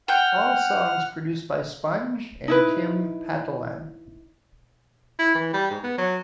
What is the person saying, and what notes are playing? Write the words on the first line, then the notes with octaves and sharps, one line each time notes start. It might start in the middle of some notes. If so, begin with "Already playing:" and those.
All songs produced by Sponge and Tim Patalan.
F#5 G5 F6
D#4 E4 B4
E4
E3
G3
G#2
B3
F#3